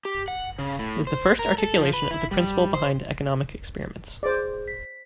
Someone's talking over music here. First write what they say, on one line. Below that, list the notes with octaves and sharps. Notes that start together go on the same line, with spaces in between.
It was the first articulation of the principle behind economic experiments.
G4
F#5
C#3
A2
C5
A#4
A4
F3
B4
E4
G3
C5
G#4 C5 D5
B6